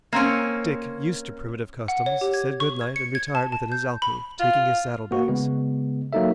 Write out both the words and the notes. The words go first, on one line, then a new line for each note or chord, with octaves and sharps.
Dick, used to primitive customs, said good-night and retired within his alcove, taking his saddle bags.
A#3 C4 C#4
F#5
C#5
G4
G#6
C#6
G#6
C#7
G#6
A5
A5
G6
B5
F4
A#3 F#4
C#3 G#3 B3
F#3 A#3 D#4 A4 E5